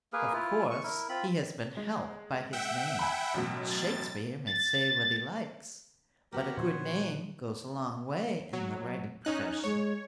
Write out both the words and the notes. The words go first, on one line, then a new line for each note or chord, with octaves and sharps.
Of course, he has been helped by his name. Shakespeare may say what he likes, but a good name goes a long way in the writing profession.
A#3 G#4 A#4 B4
E4 F4
C#6
E4 A#4
C4 F4 B5
G#3
E5 F#5 G5
G#5 B5
A1 F#2 B2
A6
A6
B3 F#4 G4 A#4
A#2 D#3 F3 C5 C#5
F#3
C#4 D#4 F#6
G#3 C#5